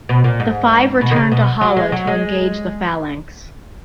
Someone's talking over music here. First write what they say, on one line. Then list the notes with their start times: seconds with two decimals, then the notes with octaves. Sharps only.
The five return to Hala to engage the Phalanx.
0.09 B2
0.24 A#2
0.40 G#2
1.01 B2
1.11 D#3
1.16 C#3
1.32 B2
1.61 F#3
1.77 G#3
1.92 F#3
2.07 G#3